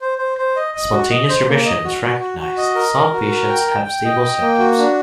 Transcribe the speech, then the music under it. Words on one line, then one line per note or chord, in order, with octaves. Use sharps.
Spontaneous remission is recognized; some patients have stable symptoms.
C5
C5
C5
D#5
D#5
F#4
D#5
C5
A#3
D#5
F#4
F#4
F#4
F#4
D#5
A#4
A#4
F#4
A#4
G5
G5
G5
D#5
G5
A#3
F#4
D4